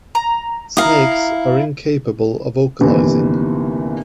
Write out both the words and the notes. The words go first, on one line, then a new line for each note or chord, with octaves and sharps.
Snakes are incapable of vocalising.
A#5
E4 F5 A#5 D#6
G1 D#2 C3 E3